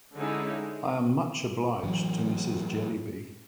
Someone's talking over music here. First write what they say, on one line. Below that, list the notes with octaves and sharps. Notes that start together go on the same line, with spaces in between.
I am much obliged to Mrs. Jellyby.
D3 G#3 C#4 D#4 E4
G#3
A2 E3 F#3